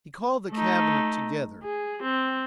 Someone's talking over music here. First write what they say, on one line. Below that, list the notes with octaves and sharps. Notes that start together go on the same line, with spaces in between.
He called the Cabinet together.
A3 D#4
G#4
C4